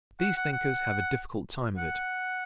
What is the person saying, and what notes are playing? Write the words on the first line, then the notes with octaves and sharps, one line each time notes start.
These thinkers have a difficult time of it.
F#5
F#5
F#5
F#5